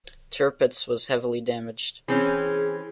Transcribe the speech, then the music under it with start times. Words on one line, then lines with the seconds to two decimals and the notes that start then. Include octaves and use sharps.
"Tirpitz" was heavily damaged.
2.08 E3 C4 C#4 G#4